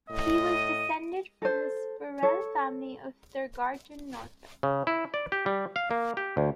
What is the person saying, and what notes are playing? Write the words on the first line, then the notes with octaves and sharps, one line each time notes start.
He was descended from the Spurrell family of Thurgarton, Norfolk.
A2 D#5
D#7
A4 C5
A4 C#5
C#3
E4
D5
G4
G3
F5
A#3
G4
D2